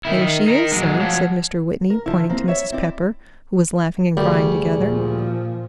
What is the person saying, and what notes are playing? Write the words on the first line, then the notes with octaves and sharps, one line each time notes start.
"There she is, sir," said Mr. Whitney, pointing to Mrs. Pepper, who was laughing and crying together.
D#3 E4
D#3
D#4 A#4
F#3 G#3
F3 F#3
A#4
D3 F3 E4
A#3 C4
C#5 E5
C4 E4 D5
D2 G3 G#4
A#2 F3